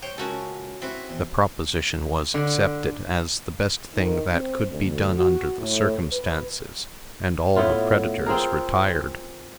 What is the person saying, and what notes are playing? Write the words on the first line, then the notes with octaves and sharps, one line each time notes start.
The proposition was accepted, as the best thing that could be done under the circumstances, and all the creditors retired.
C5 C#5 G5
C#2 C#4 F#4 A4 A#4
C4 E4 F#4 B4
E2
D3
D#3
C4
D2
F#4
A2
B4
A2 B3 E4 F4
C4 F4 G#4 A#4